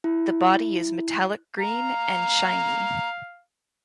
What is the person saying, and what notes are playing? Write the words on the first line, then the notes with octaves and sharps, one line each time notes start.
The body is metallic green and shiny.
E4
F5 A#5